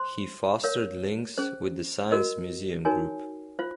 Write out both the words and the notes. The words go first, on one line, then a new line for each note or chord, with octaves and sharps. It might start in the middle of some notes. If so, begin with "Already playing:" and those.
He fostered links with the Science Museum Group.
Already playing: C5 C6
A#4 C#5 F5
C#4 G#4 C5
F#4 A#4 D#5
D#4 F#4 A#4 C#5 G#5
F4 C5 F5